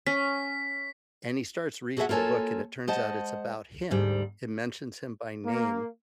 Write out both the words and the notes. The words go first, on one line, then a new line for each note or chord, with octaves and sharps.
and he starts reading the book, and it turns out it's about him. It mentions him by name,
C#4 B6
F#4 G#4 A4 C5 E5 F#5
A#3 F4 A4 C#5 G#5
G#3 C5 D#5 F#5 A5
D2 G#2 G3
A#3